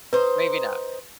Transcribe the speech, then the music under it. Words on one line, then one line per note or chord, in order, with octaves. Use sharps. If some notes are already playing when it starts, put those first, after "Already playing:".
Maybe not.
D#4 B4 C5